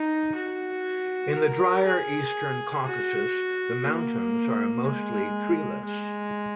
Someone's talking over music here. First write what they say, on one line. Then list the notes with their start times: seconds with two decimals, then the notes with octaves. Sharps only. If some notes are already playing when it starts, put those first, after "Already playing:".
In the drier Eastern Caucasus, the mountains are mostly treeless.
Already playing: D#4
0.35 F#4
1.35 A#4
1.85 G#4
2.85 F#4
3.85 A#3
4.85 G#3
5.85 G#3